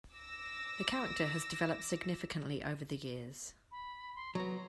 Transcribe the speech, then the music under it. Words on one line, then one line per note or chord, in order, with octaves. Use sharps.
The character has developed significantly over the years.
D6 E6 A#6
B5
C6
F#3 B3 A#5